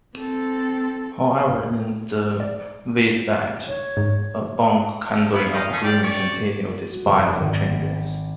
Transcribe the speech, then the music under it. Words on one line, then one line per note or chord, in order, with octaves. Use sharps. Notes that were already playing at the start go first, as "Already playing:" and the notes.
However, in the wheatbelt, bulk handling of grain continued despite the changes.
C4 A4
D5
C#5
G#2
F3
A#3 B3 E4
G4 D#5 F5
A3 C#4 G#4
G4 D5
C#5 D5
F#4
F1
G#1